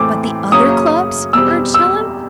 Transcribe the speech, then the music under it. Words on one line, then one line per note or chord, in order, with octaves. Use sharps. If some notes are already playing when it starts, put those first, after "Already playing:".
"But the other clubs?" urged Helen.
Already playing: A2 E3 A3 C4 D6
F#2 C#3 F#3 A#3 C#4 D#6
E2 B2 G3 C4 E6
E6